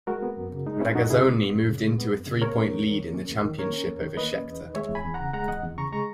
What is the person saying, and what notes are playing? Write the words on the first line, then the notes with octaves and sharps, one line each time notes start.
Regazzoni moved into a three-point lead in the championship over Scheckter.
G#3 F#4 A#4
B3
F#2
C#3
G#3 D#4
B3 C#4 E4
F#2 D#4 F#4
C#3 E4 G#4
G#3
B3
F#2
C#3
G#3
B3
F#2
C#3
A#3 A#4 C#5
C#4
E2
D#3
A#3
C#4
E2
D#3
A#3 A#4 C#5
C#4
E2
D#3
A#3 B4 D#5
C#4
E2
D#3
G#3 C#5 E5
E2
G#5 B5
E2
C#3 F#5 A#5
G#3 F#5 A#5
E2 D#5 F#5
E2
C#3 A#5 C#6
G#3 A#5 C#6